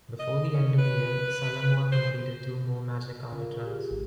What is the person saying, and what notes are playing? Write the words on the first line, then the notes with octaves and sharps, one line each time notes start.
Before the end of the year, "Salamaua" completed two more "Magic Carpet" runs.
D#5
C#4
B4
C5
C#3 F4 A#4 F5
G4 G#4
G#1